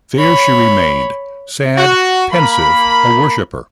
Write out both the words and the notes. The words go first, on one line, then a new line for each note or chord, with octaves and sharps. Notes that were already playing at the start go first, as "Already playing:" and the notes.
There she remained — sad, pensive, a worshipper.
C#5 B5
F#4
A#3 B5